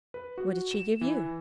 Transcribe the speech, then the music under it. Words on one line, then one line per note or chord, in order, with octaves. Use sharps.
'What did she give you?'
B4
F#4
E7
E3